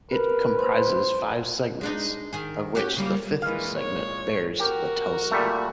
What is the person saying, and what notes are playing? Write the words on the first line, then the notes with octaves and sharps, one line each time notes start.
It comprises five segments, of which the fifth segment bears the telson.
A#4 B4
C5
G#3 D4 D#4
D#3 G#4
C#4 F#4 G4
C#3 G3 A#3
A#2 D#3 E3 G#3 F5
C#5
F#4 G4 A#4
A#2 G3 A3